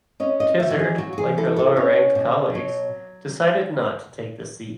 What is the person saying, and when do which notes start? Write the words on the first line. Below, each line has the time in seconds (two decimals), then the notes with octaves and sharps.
Tizard, like her lower-ranked colleagues, decided not to take the seat.
0.20 C#4 D#5
0.40 D#5
0.59 D#3 E5
0.70 F#4
0.79 G#4
0.98 F#3 F#4
1.13 F#4
1.18 G#4
1.38 E4 A4
1.56 A4
1.76 C#4 C#5
2.15 B2
2.55 F#3